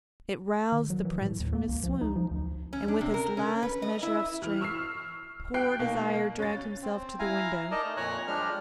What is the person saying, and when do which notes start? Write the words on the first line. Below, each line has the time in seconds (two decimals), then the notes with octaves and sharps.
It roused the Prince from his swoon, and with his last measure of strength, poor Desire dragged himself to the window.
0.72 D#3
0.90 F#3
1.05 E3
1.22 A2
1.40 D#2
1.55 A#3
1.69 C#2
1.83 F3
2.01 D#4
2.16 F3
2.31 D2
2.73 C#4
2.88 D4
3.01 C3
3.14 A#4
3.37 C#4
3.63 B4
3.82 D#5
4.03 E4
4.42 E3 F6
4.61 C#6 E6 F6 C7
5.54 G5 F#6 C7 D7
5.79 B2 A#3 D#4
6.39 C#4 A6
6.83 C4
7.19 E4 F5 G#5 A#5
7.71 D#4 A#4 D5 D#5 A5
7.85 A3
7.97 F2 A#2 C#5 G#5 A#5 F#6
8.27 F3 G3 G#3 D4 G4 F6